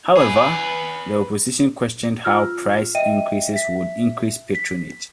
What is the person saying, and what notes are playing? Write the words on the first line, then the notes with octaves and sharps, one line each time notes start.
However the Opposition questioned how price increases would increase patronage.
G#4 B4
F4 E6 F6
D#5 E5 G5 D#7
E5 B6
B6